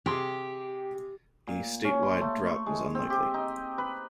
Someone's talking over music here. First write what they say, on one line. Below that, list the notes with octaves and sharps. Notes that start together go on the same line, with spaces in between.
A state-wide drought was unlikely.
C3 G4 G#4 C6
A#2
C#4
C6
A3
C#6
G#3
C4
G4
D#4
B4